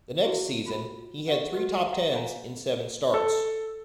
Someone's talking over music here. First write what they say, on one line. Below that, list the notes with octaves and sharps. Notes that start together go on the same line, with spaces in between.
The next season, he had three top-tens in seven starts.
E4 F#4 G#4
F4 B5
G4 E5 F#5
F#4 B4 D#5
E5 F#5 G5 A#5
G#4 C#5 E5 F5 G#5 A#5
A4